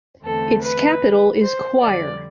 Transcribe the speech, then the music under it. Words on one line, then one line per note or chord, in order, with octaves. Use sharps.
Its capital is Choir.
E2 D3 A3 C4 A4
B4
C5
F2 D3 G3 D5